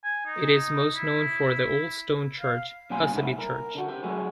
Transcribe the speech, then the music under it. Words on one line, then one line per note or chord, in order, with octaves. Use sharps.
It is most known for the old stone church Husaby Church.
G#5
D#4
E4
F5
F#2 B2 A#3 G4 G#5 C6
G#3 A3 D#4 E4
A#4
D3 F#4
G4 C5
F#3 G#3 A3 F#4 G#4